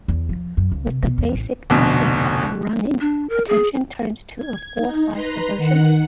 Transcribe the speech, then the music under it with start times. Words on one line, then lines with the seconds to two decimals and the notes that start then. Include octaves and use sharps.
With the basic system up and running, attention turned to a "full sized" version.
0.08 E2
0.29 F3
0.57 F#2
0.72 C#2
0.86 C3
1.03 B2
1.18 E2
1.34 A1
1.70 F1 D2 B2
3.01 D4
3.29 A#4
3.48 G#4
4.37 G#6
4.78 D#4
5.11 B4 A#5 C6
5.57 D#3 F#5 C#7